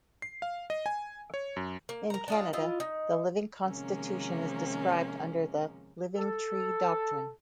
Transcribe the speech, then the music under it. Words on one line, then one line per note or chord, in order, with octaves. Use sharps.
In Canada, the living constitution is described under the "living tree doctrine".
C7
F5
D#5
G#5
C#5
F#2
A#3
A#4 A#5
D4 D#4 F4
E4 F4 D#5
D#4
C3 D#3 F3 G#3 A#3 C#4
A4